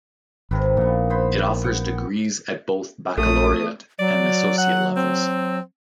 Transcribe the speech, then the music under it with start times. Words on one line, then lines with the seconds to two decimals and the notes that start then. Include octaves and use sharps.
It offers degrees at both baccalaureate and associate levels.
0.51 G#1 C3 D#3 B4
0.77 A#1 A#2 B3
1.10 B3 C5 B5
1.64 B3 F#5 G5
3.18 A#1 A3 D#6
3.99 F#3 D5
4.58 F#5
4.97 C4